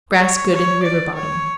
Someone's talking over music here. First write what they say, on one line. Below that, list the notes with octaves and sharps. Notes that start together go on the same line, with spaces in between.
Grass good in the river bottom.
C#5
C#5
D5
C#5